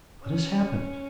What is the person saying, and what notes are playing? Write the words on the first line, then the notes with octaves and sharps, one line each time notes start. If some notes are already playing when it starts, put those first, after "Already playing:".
What has happened?
C#4